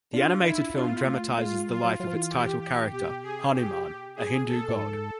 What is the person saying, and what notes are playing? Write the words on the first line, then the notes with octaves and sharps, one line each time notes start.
The animated film dramatizes the life of its title character, Hanuman, a Hindu God.
D4 F4
D#4 E4
D4
D4 F4
B3
A3
A3 F4
G#3
G3
G#3
F#3 F4
F#3
F#3 F4
F3
E3
G4
G4
B2 G4
C3 G#4
G4
A#2
B2
C3
C#3 G#4
G#2 A4
A2
G#2